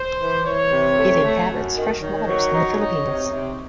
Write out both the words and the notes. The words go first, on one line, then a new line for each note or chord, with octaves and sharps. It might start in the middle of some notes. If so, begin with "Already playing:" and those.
It inhabits freshwaters in the Philippines.
Already playing: C5
E3
E3 C#5
C3
A3
A3
F#2
D#3
D#3 C#5
F#3
D#4 C#5
D#4
C3
C3